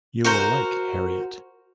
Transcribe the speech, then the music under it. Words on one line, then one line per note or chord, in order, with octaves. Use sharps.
You will like Harriet.
F#4 A#4 C5